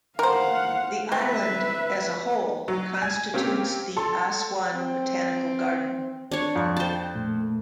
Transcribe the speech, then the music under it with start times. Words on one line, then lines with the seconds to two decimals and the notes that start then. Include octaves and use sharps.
The island, as a whole, constitutes the Aswan Botanical Garden.
0.19 A#4 C5 F5 F#5
1.12 C4 B4 E5
2.68 F#3
3.02 G#5 G#6
3.34 A#3 C4 C#4 G4
3.96 A4 C6
4.74 C4
6.31 D4 C#5
6.56 F2
6.77 C5 G5 A5
7.15 A#2 A3